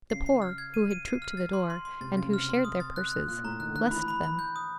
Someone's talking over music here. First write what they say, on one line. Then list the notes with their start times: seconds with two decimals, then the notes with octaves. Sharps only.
The poor, who had trooped to the door, and who shared their purses, blessed them.
0.10 C#3 C7
0.26 C7
0.42 F6
0.58 G#6
0.74 D#7
0.91 D#7
1.05 C7
1.22 F6
1.37 A6
1.53 C6
1.70 C6
1.85 C6
2.01 C3 A6
2.13 C#3 A6
2.26 C3
2.33 F6
2.49 C6
2.65 D#6
2.80 A6
2.96 F#6
3.12 F#6
3.28 A#2 F#6
3.44 A2 A#5
3.60 D#3 F#6
3.70 D3
3.76 D#3 F#6
3.91 E3 B5
4.08 B5
4.23 B5
4.39 G6
4.56 D#6